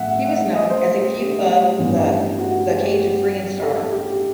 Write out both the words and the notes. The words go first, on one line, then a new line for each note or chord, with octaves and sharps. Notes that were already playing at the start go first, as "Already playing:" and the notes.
He was known as a few of the The Cage of Free and Star.
Already playing: A1 A2 F#3 E5 F#5
F#5
D#5
C5
G4
A1 G2 E3 B3
F#4
G4
A4
G4